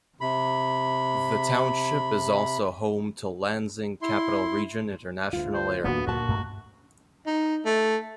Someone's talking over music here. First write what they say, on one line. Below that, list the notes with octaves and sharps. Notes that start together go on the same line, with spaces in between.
The township is also home to Lansing Capital Region International Airport.
C3 B5
E4 C6
D2 F4
C5
D#1 E2 A#3 B3 D4 F#4
D2 A#2 F#4 A5
G2 A3 A#3
D#4
A3